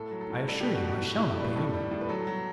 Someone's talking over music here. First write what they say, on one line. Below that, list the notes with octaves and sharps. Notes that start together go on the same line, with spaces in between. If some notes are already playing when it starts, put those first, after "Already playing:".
"I assure you I shall not be angry with you."
Already playing: A2 A4
F#3
A4
A2
G3 A4
B2 G4
F#4
B2 G4
A2
A2
G3
B4
A2 A4
G3
A2
B4
F#3 A4
F#3